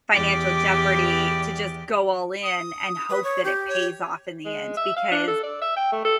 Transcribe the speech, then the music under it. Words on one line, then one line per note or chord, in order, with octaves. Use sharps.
financial jeopardy to just go all in and hope that it pays off in the end, because
E2 G4 D5
D#6
B4
C#5
G4
C#5
G#3
E5
F5
D4
A4
D5
E5
G5
A3
A4